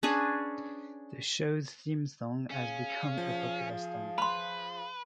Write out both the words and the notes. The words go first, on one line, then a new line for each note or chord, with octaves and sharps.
The show's theme song has become a popular standard.
C#4 D4 G#4 B4
C#4 G#4 F5
F3
B4 B5 C6